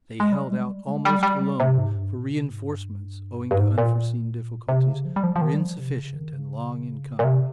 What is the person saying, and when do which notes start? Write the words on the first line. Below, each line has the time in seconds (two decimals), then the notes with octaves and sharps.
They held out almost alone, for reinforcements, owing to unforeseen difficulties, were insufficient and long in coming.
0.20 G#3
0.32 G3
0.50 G#3
0.69 G3
0.86 G#3
1.05 G3
1.23 G3
1.60 C3
1.78 G#2
1.96 G2
2.14 A#2
2.32 C3
2.51 G#2
2.68 G2
3.51 G2
3.60 G#2
3.78 A#2
4.69 C3
4.88 C#3
5.05 F3
5.16 G3
5.24 F3
5.36 F3
5.42 D#3
5.54 G3
5.60 F3
5.79 C3
5.97 C#3
6.15 D#3
6.33 C#3
7.19 A#2
7.24 C3